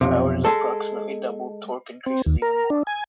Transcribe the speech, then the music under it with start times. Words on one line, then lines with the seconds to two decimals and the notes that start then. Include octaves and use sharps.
Power is approximately doubled; torque increases even more.
0.01 B1 F2 C3
0.45 G#3 A4
2.06 C4
2.26 D#2
2.42 A#4
2.70 D4
2.87 G#5